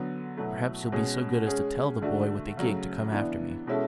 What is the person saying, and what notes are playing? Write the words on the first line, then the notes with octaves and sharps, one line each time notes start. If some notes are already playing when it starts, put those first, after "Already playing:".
Perhaps you'll be so good as to tell the boy with the gig to come after me?
Already playing: D3 F#3 B3
B2 F#3 A3 E4
B2 G#3 C#4 G#4
G#3 C#4 G#4
D3 A3 D4 F#4
C#3 F#3 A3
E3 B3 D4
B2 G#3 C#4 E4 A4